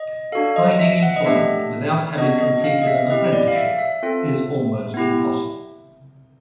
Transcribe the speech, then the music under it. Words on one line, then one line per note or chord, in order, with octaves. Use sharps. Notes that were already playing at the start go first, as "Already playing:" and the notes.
Finding employment without having completed an apprenticeship is almost impossible.
Already playing: D#5
D4 F#4 A4 F5
D#5
E5
F#5
D#5
A3 D4 G4 E5
B3 D4 F#4 D#5
D#5
F5
D#5
E5
C4 E4 G4 D#5
D5
F5
E5
E5
C4 F4 A4
B3 E4 G4